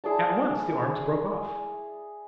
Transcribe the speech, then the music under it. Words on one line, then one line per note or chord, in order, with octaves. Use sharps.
At once the arms broke off.
E4 G#4 D5 A5